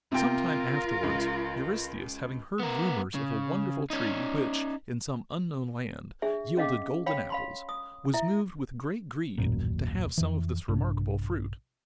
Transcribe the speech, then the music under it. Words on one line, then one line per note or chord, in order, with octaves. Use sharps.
Sometime afterwards, Eurystheus, having heard rumors of a wonderful tree which, in some unknown land, yielded golden apples, was moved with great greed to have some of this remarkable fruit.
C3 F4 A#4 G5
C#2
B3 A#4
C#3
C#4 D#4
D4 G#4 E5
C#4 D#5 F5 D6
C#5 F5 G5 B5
F5 B5 C6
D#6
E4 E5
D#1 A1 F#2 A#2
F2 E3
A#1 G2 C3 D4